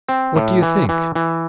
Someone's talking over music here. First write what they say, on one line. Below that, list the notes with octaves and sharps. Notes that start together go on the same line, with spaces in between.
What do you think?
C4
A2
E3
E3
E3